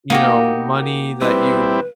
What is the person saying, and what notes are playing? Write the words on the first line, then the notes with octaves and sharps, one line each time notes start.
you know, money that you
A#3 D#4 F#4 G4
G3 C4 E4 B4